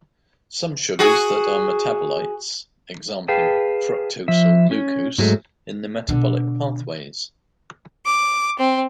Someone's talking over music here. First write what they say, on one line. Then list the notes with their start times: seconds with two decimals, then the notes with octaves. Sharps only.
Some sugars that are metabolites; example: fructose or glucose in the metabolic pathways.
0.99 F#4 G#4
3.28 G#4 B4 F5 G5 A5
4.28 F3 E5
4.71 C#4
5.18 G#2 F#3 G#3 A3
6.09 B2 D3
8.07 D6
8.58 C4